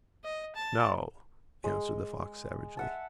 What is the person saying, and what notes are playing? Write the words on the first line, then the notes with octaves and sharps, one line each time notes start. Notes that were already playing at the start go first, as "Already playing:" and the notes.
"No," answered the fox savagely.
D#5
A5
G#3
E5 F#5 A5